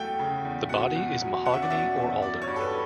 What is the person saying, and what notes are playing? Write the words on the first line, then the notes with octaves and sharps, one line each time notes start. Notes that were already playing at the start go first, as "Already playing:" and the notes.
The body is mahogany or alder.
Already playing: E2 F#3 A3 F#5 G5
C#3
E2
B2 F#5
E2
F#3
C#4 F#5
E5
D5
B2 E5
E2
F#3 D5
C#5
G2
A4
B4